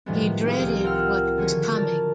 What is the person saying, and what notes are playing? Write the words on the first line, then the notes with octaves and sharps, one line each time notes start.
He dreaded what was coming.
A2 D#3 F3 G3 G#3 B3
D#4 G4 G#4 C#5 F5
C2
F4 A#4 F#5 G5 E6 F6
D3 D#3 F3 F#3 G#4 C#5
A#4 D5 A5